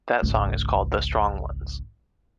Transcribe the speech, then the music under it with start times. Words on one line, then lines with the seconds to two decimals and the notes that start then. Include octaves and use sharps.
That song is called "The Strong Ones".
0.22 G#1 C#2